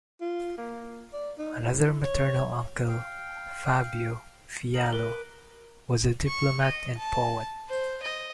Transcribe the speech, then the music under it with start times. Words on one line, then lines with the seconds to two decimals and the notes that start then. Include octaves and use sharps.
Another maternal uncle, Fabio Fiallo, was a diplomat and poet.
0.21 F4
0.58 A#3
1.13 D5
1.38 D#4
1.63 E4
2.04 C#5
2.89 F5 G5
4.74 D#4 A#4 D#5 F#7
4.93 A#4 B4 D6
6.27 C#6
6.61 D#5
6.97 A5
7.69 C5
8.03 D#5